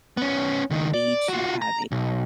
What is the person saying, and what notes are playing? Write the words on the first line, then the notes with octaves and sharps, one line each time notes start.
stage to have a
B3 C#4
C#2 D#3
D5
F4 F#4
A#5
B1